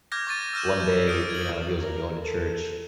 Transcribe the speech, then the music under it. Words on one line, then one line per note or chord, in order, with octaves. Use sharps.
one day, you know, he was, like, going to church
D6 F6 G6 G#6 A#6
C#6 D6 A6 D#7
E6 F6 G6 E7
G6
D#6 F6 G6 D7
G#6 F#7
A#4
A4